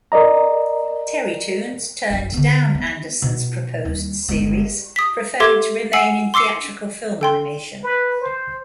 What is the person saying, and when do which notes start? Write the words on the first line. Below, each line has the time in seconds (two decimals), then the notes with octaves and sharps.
Terrytoons turned down Anderson's proposed series, preferring to remain in theatrical film animation.
0.12 A#4 D5 D#5 A#5
2.10 A1 F#2
2.34 D3 B3
2.75 B3
3.22 B2
3.85 D#2 G3
4.28 G1 G#3
4.96 D#6 B6
5.40 G4 A4 E5 C6 D6 G#6
5.93 F#5 G#5 E6 C7 F#7
6.34 C6 D6 E6 C7 C#7
7.21 A4 G5 C6
7.83 B4
8.21 C5